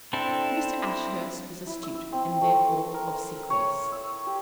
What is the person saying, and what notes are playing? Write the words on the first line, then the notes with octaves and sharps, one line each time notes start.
Mr. Ashurst was astute, and therefore obsequious.
C4 D4 E4 A4
E4
E6
C4
A3
A#4
C#5
E6
G4